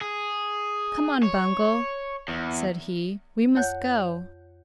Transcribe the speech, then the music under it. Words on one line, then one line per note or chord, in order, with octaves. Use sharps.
"Come on, Bungle," said he; "we must go."
G#4
C#5
E2
F2 C#5 F#5 F#6 G6